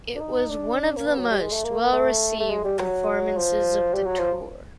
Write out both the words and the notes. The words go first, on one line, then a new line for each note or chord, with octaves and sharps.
It was one of the most well received performances of the tour.
D4
D#4
D4
A#3
B3
F#3
G3
G#3
A3
A#3
A3
A3
G#3
G3
F#3
F3
G3
F#3
F3